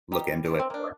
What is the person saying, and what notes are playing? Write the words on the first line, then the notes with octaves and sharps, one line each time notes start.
look into it more.
G3 D#4 G4
G3
D4
D#3
C4
A#3 D4